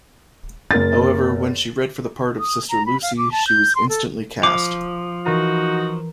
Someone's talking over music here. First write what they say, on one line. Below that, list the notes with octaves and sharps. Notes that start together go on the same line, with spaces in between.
However, when she read for the part of sister Lucy, she was instantly cast.
F#1 A#4 A6
D#6
A#5
B5
F5
D6
A5
G6
C6
A4
F3 D6
E3 D#4 F#4 A#4 A#5